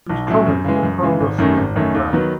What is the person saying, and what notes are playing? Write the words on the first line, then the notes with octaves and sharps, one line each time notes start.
She was coming perilously down.
B1
A2 F#3 C#4 E4
F#2
C#3 E3 G#3
F#2
C#3 E3 G#3
G#1
F#2 D#3 A3 C#4
G#1
F#2 D#3 A3 C#4
D#2
D#3 F#3 B3